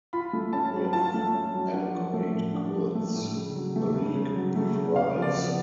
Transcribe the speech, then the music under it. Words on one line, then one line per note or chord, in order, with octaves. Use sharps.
With adequate goods, the league thrives.
F4 B5
A3
C#4 A5
F#3
F4 A5
A3
C#4
F#3
D4 F#5
F3
A3
A2
D4
F3
A3
A2
C#3
F#3
A3
C#3
C#3
F#3
A3
C#3
C#3 F5
F3
D5
B3